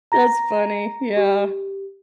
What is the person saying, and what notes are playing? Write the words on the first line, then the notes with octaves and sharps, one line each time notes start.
That's funny, yeah.
A#5 A#6
G4